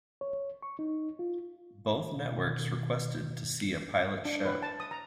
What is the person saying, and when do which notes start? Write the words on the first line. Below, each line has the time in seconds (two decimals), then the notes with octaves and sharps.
Both networks requested to see a pilot show.
0.21 C#5
0.62 C#6
0.79 D#4
1.19 F4
2.11 B2 D#3
4.25 D4
4.45 B4
4.62 A5
4.80 D#6
4.91 A#5